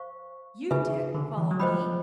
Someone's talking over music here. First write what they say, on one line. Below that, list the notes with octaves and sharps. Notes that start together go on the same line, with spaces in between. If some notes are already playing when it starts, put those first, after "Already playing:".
You, Dick, follow me.
Already playing: C5 F5 C#6
C#3 D#4 G#4 B4 E5 G#5
D3
E3
F#3
F3 C5 D#5 G5 B5